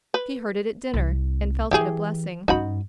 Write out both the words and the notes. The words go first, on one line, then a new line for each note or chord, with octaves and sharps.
She heard it at dinner, and felt it a blessing.
B4
C2 C3
E3 E4 G4 G#4
G2 C#4 D#4 F#4 B5